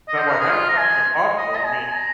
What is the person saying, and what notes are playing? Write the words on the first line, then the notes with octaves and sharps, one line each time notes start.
And I'm like, "How is that even possible?" I mean,
D#5
C5
A#4
G#4
F4
A#5
G#5
D#5
A#5
G#5
A#5